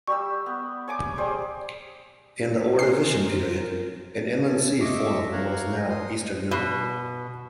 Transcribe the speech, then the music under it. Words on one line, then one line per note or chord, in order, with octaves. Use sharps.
In the Ordovician period, an inland sea formed in what is now Eastern Europe.
G3 G4 C#6 E6
B3
C#5 G#5 D6
G3 G#4 C5
C#4 A#4 C5 C7
A4 G#5
D#5 E5 C#6 D6 E6
F#4 A#4 C#5 F5 F#5
C6 D#6
B2